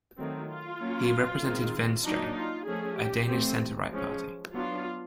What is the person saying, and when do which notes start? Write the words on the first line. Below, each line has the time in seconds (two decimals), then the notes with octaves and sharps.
He represents Venstre, a Danish centre-right party.
0.16 D#3 F#3 A3 C4
0.48 F4
0.79 F#3 A#3 C#4
1.41 D#3 G#3 C4
2.03 F#3 A#3 D4 D#4
2.35 F4
2.66 F3 A3 C#4 G#4
2.97 G4
3.28 E3 A3 C4
3.91 F3 G#3 C#4
4.53 F#3 B3 D4 F4